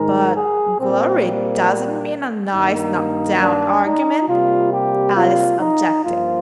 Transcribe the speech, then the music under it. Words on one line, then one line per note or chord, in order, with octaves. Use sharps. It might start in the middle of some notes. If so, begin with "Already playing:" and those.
'But "glory" doesn't mean "a nice knock-down argument,"' Alice objected.
Already playing: G#2 D#3 G#3 A#4
G#4
A#2 G3 A#3 C4
C4
G2 D#3 A#3 D#4
D4
D#4
C3 G3 A#3 F4
G4
F4
D#4
G2 F3 A#3 F4